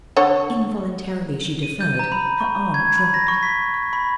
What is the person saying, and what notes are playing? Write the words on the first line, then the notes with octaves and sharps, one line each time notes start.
Involuntarily she deferred, her arm dropped.
D3 A4 C#5
D#7
G6
A#5
B5
C#6
G#6
B5
A#6
C#6
B6
C#6
B5